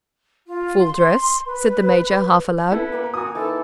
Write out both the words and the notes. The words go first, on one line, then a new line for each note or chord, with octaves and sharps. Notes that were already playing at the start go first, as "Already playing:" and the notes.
"Full dress?" said the major, half aloud.
F4
C6
B4
B3 E4 A4 B4
A#3 G5 A#5
F#4 G#5 D#6
D#3 E3 A4